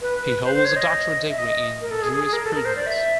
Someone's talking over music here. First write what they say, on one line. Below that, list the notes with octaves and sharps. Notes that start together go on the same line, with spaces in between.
He holds a doctorate degree in Jurisprudence.
B4
C5
C5
C#5
D#5
E5
D#5
D#5
A#4
A4
G#4
G#4
G#4
A#4
A4
A#4
C5
D5
E5